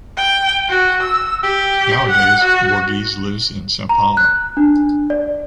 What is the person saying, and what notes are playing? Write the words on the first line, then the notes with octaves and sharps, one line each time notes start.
Nowadays, Borges lives in São Paulo.
G5
F#4
E6
G4
F#5
F#4
A#5
F#6
D4
D5